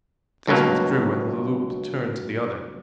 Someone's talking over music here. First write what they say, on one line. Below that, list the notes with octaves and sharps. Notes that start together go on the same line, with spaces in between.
The face withdrew and Le Loup turned to the other.
C#2 G2 B2 F#3 A#3